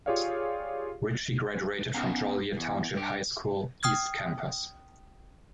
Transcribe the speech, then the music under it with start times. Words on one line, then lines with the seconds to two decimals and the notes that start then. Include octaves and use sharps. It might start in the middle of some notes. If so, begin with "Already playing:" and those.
Richie graduated from Joliet Township High School, East Campus.
0.06 F4 G4 G#4 C#5 D5 F5
1.94 B3 C#4 D#4 F5 A#5
2.57 E2
2.94 G2 G4
3.83 G5 D#6 F6 G#6